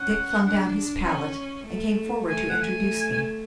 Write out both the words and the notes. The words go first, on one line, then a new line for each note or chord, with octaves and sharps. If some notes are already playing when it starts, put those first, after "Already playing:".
Dick flung down his palette, and came forward to introduce me.
Already playing: C#4 F#5
D4
C#4
A3
A3 G#5
F#5
G#5